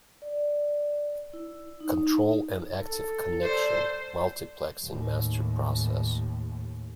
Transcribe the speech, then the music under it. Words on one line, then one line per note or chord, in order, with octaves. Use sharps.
Control an active connection multiplexing master process.
D5
E4
D#4
A4
G3 C5
D#2 A2